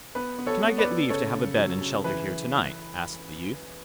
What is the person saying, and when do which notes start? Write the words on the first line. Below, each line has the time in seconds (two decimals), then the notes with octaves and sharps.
'Can I get leave to have a bed and shelter here to-night?' asked the youth.
0.15 B3 B4
0.38 B3
0.47 A4 C#5
0.63 B3
0.78 B4 D5
0.86 B3
1.09 C#3 A4 C#5
1.34 C#3
1.57 F#3
1.81 C#3
2.04 E3 B4